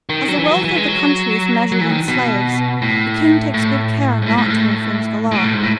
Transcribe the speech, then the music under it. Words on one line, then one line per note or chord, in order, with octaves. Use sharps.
As the wealth of the country is measured in slaves, the king takes good care not to infringe the law.
D#3
F#3
E3
F#3
E3
G#3
F#3
F#3
E3
D#3
B2
A2
A2
G#2
A2
A2
G#2
A2
A2
B2
A2
G#2
A2